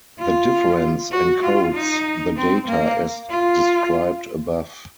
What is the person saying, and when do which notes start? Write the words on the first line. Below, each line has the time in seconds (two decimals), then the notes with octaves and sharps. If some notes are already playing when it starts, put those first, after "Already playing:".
The difference encodes the data as described above.
0.19 F4
1.11 F#4
1.43 F4
1.74 D#4
2.36 C4
2.67 A#3
3.29 F4